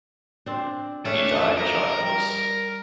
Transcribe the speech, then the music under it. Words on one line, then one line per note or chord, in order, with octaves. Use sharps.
He died childless.
C4 D4
C#4 D4 A4 B4 E5
A#4
G3